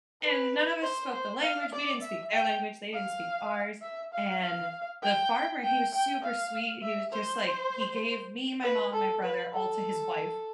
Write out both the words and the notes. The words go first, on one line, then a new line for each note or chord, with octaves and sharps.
and none of us spoke the language- we didn't speak their language, they didn't speak ours- and the farmer, he was super sweet, he was just like, he gave me, my mom, my brother all to his wife.
B4
C5
C5
F5
D5
E5
G5
F5
E5
F5
F5
G5
G5
G5
F5
E5
C5
B4
A4
B4
A4